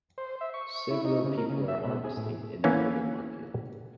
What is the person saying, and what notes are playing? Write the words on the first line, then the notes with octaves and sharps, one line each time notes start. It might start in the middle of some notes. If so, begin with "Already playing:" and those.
Several people are harvesting in an urban market.
C5
E5
C#6
E4
D#4
C#3
A#4
C#3
E5
B2
G#4
A2
E3 A#3 B3 C#4 E4